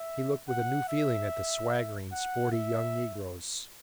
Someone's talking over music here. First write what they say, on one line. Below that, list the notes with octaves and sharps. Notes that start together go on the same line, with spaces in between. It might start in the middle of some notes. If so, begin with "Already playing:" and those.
He looked with a new feeling at the swaggering, sporty young negroes.
Already playing: E5
F#5
E5
F#5
E5